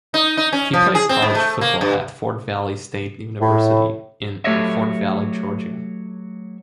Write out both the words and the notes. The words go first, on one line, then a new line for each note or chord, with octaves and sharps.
He played college football at Fort Valley State University in Fort Valley, Georgia.
D#4
D#4
C#4
F3
G#4
C4
G#2
A3
A#3
G2
A2
F#3 A3 G4 C#5 D#5 E5